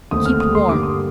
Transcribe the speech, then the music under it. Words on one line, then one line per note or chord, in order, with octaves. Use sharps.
Keep warm.
D#2 D3 A3 C4 D#6
F6
D#6
C6
G2 D3 G3 A#3 D6
D#6